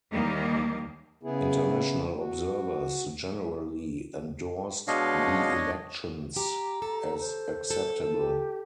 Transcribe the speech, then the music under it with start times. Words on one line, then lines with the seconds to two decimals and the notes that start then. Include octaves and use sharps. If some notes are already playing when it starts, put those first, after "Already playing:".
International observers generally endorsed the elections as acceptable.
0.12 D#2 D#3 E3 G3 A#3
1.23 C#3 B3 E4 G#4
2.17 F#4
4.88 B2 G#3 D4 C#5 D#5 F5
6.37 G4 A#5
6.82 A4
7.20 C5
7.71 A4
8.15 G4